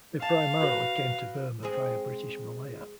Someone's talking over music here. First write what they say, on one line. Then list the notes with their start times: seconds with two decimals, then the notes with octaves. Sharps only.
They primarily came to Burma via British Malaya.
0.22 F5 A5
0.60 F#4 B4
1.63 G#3 C4 G#4